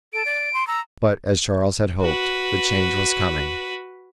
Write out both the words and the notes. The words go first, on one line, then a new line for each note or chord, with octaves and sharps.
But, as Charles had hoped, the change was coming.
A4 D7
D5
C6
A#5 E6
F#4 B4